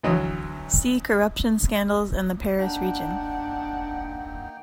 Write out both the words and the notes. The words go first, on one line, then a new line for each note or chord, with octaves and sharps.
See corruption scandals in the Paris region.
D2 E3 F#3 D#5
A#3 D4 D#4 F#5 G5